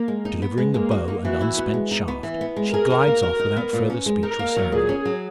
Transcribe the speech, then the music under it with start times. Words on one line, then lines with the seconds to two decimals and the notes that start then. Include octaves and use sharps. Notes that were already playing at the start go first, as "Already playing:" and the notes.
Delivering the bow and unspent shaft, she glides off without further speech or ceremony.
Already playing: A#3
0.08 G#3
0.25 D#4
0.42 B3
0.58 G#3
0.74 G#3 A#3
0.91 F#4
1.08 D#4
1.25 E3 F#4
1.41 E4
1.58 B3
1.74 G#3
1.91 D#4
2.08 B3
2.23 E3
2.41 B3
2.56 G#3
2.73 G#4 A#4
2.90 D#4
3.07 A#3
3.23 F#4
3.40 D#4
3.56 B3
3.73 A#2
3.90 C#4
4.06 G#3
4.23 D#4 A#4
4.39 A#3
4.56 F#3
4.72 A#2 G#4
4.89 C#4
5.05 F#3